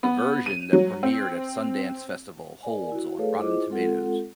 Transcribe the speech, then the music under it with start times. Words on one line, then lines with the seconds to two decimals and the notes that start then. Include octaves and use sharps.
The version that premiered at Sundance festival holds on Rotten Tomatoes.
0.03 B3
0.46 D#7
0.73 F#3
1.03 C4
2.63 A#4 D5 G#5
2.92 E4 F#4
3.18 A3 G#4 A4 B4 C#5 F5
3.39 E4 F4 G#4 C5 D#5 D6
3.70 G#3 C4 F4 A4 F#5